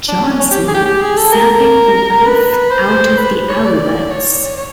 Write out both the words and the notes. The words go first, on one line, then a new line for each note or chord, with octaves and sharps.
Johnson, sapping the life out of the Alouettes.
D4
C#4
C#4
G4
G#4
G4
G4
G#4
A4
A#4
B4
C5
B4
C#5
D5
C#5
C#5